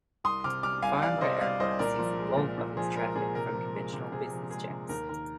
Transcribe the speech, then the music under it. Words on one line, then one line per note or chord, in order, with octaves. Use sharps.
Farnborough Airport sees the bulk of its traffic from conventional business jets.
C2 C6 D#6
C3 D6 F6
G3 D6 F6
C2 F5 G#5
C2 D5 F5
C3 C5 D#5
G3 D5 F5
C2 C5 D#5
A#2 A#4 D5
F3
G#3
A#2
A#2
F3 G#4
G#3 A#4
A#2 G#4
C3 A#4
F3
G#3
C3
C3 G#4
F3
G#3 G#4
C3
D#2 A#4
D#3 A#4